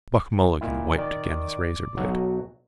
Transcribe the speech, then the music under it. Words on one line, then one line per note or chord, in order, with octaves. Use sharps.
Buck Mulligan wiped again his razorblade.
A#2 D#3 E4
D#3 D5
B1 F#3